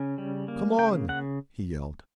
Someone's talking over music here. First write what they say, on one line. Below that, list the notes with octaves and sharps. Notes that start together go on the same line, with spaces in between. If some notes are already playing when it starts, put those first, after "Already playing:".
"Come on!" he yelled.
Already playing: C#3 C#4
G3
A#3
C#3 G5
C#3 F#5